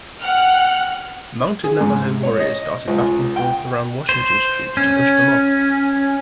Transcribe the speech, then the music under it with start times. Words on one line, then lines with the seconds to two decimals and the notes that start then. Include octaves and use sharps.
Mounted Navajo warriors darted back and forth around Washington's troops to push them off.
0.21 F#5 G5 F6 F#6
1.64 G#4
1.81 G#2
2.23 C#5
2.40 D#5
2.88 C#2
3.36 G5
4.09 C5
4.77 C#4